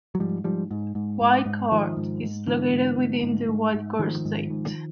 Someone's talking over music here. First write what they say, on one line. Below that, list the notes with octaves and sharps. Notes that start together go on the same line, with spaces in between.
Whitecourt is located within the Whitecourt-Ste.
F#3
G#2 F3 G3
G#2 F3 G3
G#2
G#2
G#2
G#2
G#2 D#3 F3
G#2
G#2
G#2 D3 E3
G#2
G#2
G#2
G#2
G#2
G#2 D#3 F3
G#2
G#2